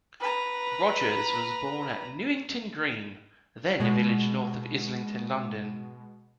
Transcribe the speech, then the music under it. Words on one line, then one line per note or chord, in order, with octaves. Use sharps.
Rogers was born at Newington Green, then a village north of Islington, London.
B4 A#5
B2 G#3